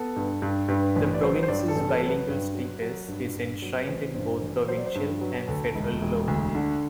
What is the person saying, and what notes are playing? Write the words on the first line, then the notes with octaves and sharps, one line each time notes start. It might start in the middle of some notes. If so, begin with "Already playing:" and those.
The province's bilingual status is enshrined in both provincial and federal law.
Already playing: B3 A4
G2
G2
G2 B4
A1 B4
D5
F#3 C5
C5
G2 D5
A4
A1
A4
F#3 A4
B4
G2
F#3
F#3
G2
G2
F#3
B4
A1 C5
G2 C5
A1
F#3 C5
D5
C5
G2
F#3 B4
D2 A4
E1
E1
D2
D3